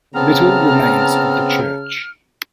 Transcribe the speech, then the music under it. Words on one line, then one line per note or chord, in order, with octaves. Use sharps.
Little remains of the church.
C#3 B3 C4 A5 A#5 F6